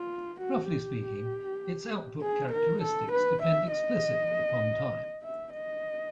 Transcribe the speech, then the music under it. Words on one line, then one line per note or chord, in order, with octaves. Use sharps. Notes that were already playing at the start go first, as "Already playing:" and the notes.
Roughly speaking, its output characteristics depend explicitly upon time.
Already playing: F4
F#4
G4
G#4
A#4
A4
B4
E5
D#5
E5
D#5